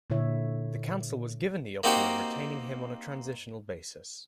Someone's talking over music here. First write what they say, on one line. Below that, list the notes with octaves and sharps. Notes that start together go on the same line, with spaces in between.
The council was given the option of retaining him on a transitional basis.
A#2 D3 E4 C#5 E5
A#3 C4 D#4 F#4 G4 F#5